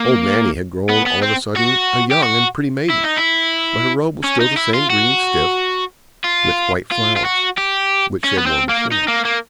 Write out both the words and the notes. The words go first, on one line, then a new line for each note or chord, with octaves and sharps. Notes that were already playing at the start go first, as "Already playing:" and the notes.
Old Nanny had grown all of a sudden a young and pretty maiden; but her robe was still the same green stuff with white flowers, which she had worn before.
Already playing: A#3
B3
B3
C4
F#4
G4
F#4
E4
D#4
E4
C#4
D#4
E4
F4
F#4
F4
F4
F4
F#4
G4
C#4
B3
C4
A#3
D#4
A#3
A#3